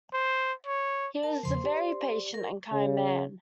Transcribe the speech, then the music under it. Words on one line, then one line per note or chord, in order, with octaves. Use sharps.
He was a very patient and kind man.
C5
C#5
A#4 A5
E2 C#3 F3 C5 C6
G4 D5
A#4
C#3